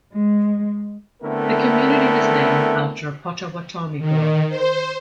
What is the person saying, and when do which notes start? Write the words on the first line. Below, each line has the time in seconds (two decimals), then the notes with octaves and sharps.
The community was named after a Potawatomi girl.
0.13 G#3
1.22 D3 A3 B3 C4 E4 A#4
3.99 D#3
4.49 C5